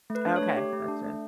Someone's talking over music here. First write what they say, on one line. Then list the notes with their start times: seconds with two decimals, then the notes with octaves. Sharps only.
Okay. Gotcha.
0.10 A3
0.15 B4
0.26 D4
0.36 C#5
0.41 A3
0.57 G4
0.73 A3
0.88 D4
1.04 A3